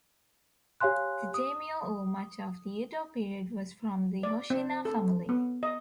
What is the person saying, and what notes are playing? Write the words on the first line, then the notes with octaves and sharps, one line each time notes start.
The daimyo over much of the Edo period was from the Hoshina family.
G4 C#5 F5 G#5 C6 F#6
D#6
D5
C4
A4
B3
D#5